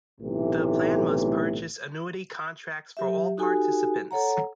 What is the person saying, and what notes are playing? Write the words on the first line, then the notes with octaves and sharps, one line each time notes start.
The plan must purchase annuity contracts for all participants.
B1 A2 C3 E3 A3
F#3 G4 E5
D#4 F#4 G4 A4 G#5
A4 C#5 F#5 A#5